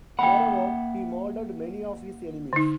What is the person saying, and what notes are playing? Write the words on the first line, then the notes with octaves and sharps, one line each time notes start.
Moreover, he murdered many of his enemies.
A#3 E5 F#5 G5 B5
D3 D#4